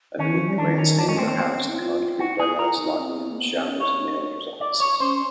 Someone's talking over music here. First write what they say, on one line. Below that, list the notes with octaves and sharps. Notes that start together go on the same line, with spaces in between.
Underneath the grandstand are housed the concrete dugouts, locker rooms, showers and manager's offices.
D#3 C#4
E3
F3
G3
D#3 D4
C#4
E3 D4
G#3 C#4
A3 C4
A#3 C4
B3 C4
C#4
E4
F4
E4 F#4
E4 G#4
F4 A#4
E4
D#4
E4
C4
A#3
B3
C4
C#4
C#5
D5
C#5
C#4 C5